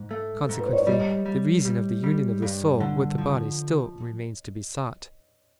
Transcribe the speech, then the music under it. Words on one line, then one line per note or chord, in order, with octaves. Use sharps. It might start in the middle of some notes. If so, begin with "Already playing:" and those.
Consequently the reason of the union of the soul with the body still remains to be sought.
Already playing: G#2
A3
G#2
B4
C5
C#5
D5
G3 C#5 D#5
G3
G3
G3
G2
D3
F3